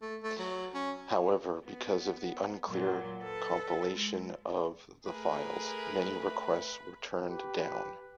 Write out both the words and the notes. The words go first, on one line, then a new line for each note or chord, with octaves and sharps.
However, because of the unclear compilation of the files, many requests were turned down.
A3
A3
F#3
C#4
B3
A#2 F#3
A4 B4
G#3
A3 G#4 A#4 B4
G4 B4